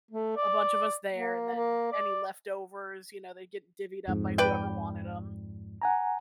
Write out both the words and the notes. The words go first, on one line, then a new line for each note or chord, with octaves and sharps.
a bunch of us there and then any leftovers, you know, they get divvied up by whoever wanted 'em.
A3
D5
A#3
A#3
D5
F2 G#2
B4 D5 G5
F#5 G#5 A#5